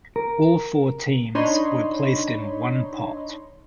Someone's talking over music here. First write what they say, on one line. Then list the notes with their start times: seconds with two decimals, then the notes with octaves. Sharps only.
All four teams were placed in one pot.
0.16 A#4
1.35 D4 D#4 C#5 D#5 B5 C6